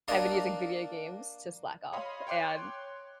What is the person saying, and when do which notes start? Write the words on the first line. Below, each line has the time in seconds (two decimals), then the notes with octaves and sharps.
I've been using video games to slack off, and,
0.08 A#3 D4 D#5 F5 F#5 A5
1.93 C#5 D#5 F5 B5 C6
2.27 C#5 G5 C6 D6 F#6